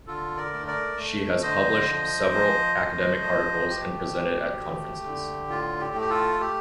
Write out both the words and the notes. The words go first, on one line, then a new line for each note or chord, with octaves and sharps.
She has published several academic articles and presented at conferences.
D3 F4 A4
A#4 D5
A3
A#4 D5
A3
D3 C5 D#5
F3
F3
A3
F3
A3 G4
D2
A3
D3
A2 F4
G4
A3
G4
F4 A4
A3 G4